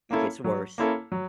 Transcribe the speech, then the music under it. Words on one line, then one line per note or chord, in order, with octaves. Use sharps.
It gets worse,
A#3 C#4 E4 A4
F#3
A#3 C#4 E4 A4
F#3